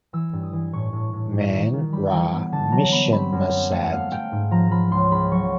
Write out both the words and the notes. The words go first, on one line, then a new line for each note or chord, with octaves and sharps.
Man ra mishenasad.
E3 E6
G2
D#6
E3
A2 C#6
A2
A2
G3
D#3
D#3
G3 B5
E3
B3
D3 A5
F#3 A#5
B3 B5
C4 B5
F#2
C4
A3 F#5
F#5
A3 F5
A3 G5
G#2
F3 A#5
F3 B5
C#2 C6
C#2 B5
F#3 C#6